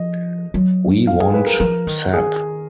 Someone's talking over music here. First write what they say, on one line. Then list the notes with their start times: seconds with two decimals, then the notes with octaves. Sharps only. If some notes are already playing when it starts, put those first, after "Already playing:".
We want Sapp!
Already playing: F3 D#5
0.54 F#3
1.07 F5
1.21 G#4
1.34 B4
1.46 A#4
1.60 F3 A#4
1.87 D#3
2.13 G#4